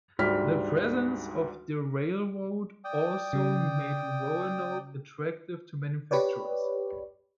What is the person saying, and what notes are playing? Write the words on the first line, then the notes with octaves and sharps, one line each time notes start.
The presence of the railroad also made Roanoke attractive to manufacturers.
D2 G#2 G3 F6 B6
D5 G5 D#6
C#3
G4 B4 C#5 D5